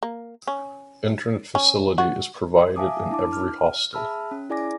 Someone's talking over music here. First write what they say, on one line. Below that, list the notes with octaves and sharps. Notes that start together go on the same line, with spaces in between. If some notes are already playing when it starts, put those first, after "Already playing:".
Internet facility is provided in every hostel.
A#3
C#4
C#4
F#4
E5 F5 G#5 A5 D6 D#6
D4 E4 A5 D6
F6
G#4 E5 A5 B5 E6 F6
C#4
E4 G#4 D5 G#5 D6 A#6